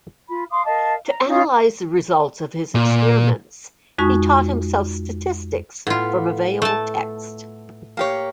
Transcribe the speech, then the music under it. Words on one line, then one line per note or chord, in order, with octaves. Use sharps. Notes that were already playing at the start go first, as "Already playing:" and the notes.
To analyze the results of his experiments, he taught himself statistics from available texts.
F4 B5
F5 C6 D6 D#6
A#4 D#5 F5 A5
A#5
C#4 D#4 F4
A#2
F2 G#3 D#4 F#4 C#6 D#6
A2 B3 F4
A3 A5
A#3 G4 C#5